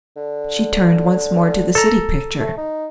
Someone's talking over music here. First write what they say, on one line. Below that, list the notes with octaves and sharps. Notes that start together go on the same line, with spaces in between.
She turned once more to the city picture.
D3
A4 A#5
A3
D#4